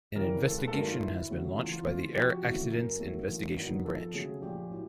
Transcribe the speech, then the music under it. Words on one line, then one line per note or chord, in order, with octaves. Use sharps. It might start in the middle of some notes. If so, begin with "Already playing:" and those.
An investigation has been launched by the Air Accidents Investigation Branch.
C#3 E3 G3 C4 A#4
G#1 A4
B4
A4
G2 D#3 F#3 A3 A#4
F4
D2 E4
C#3 F#3 A3 C#4
E2 F4
F4
C#3 E3 A3 F4
F2 G4
F#4
C#3 E3 A3 F#4
F#2 A#4
D#3 F#3 A3
A1
G2 D#3 F#3 B3
F2 A4
C#3 F#3 A3 C#4 G#4
A#1 G4
A2 F#3